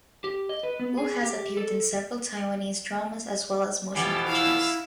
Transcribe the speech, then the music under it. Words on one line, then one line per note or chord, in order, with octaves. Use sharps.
Wu has appeared in several Taiwanese dramas as well as motion pictures.
G4
D#5
B4
B3
G#4
G4
A4
F2 B2 E3 G4 A5
E4 F5 E6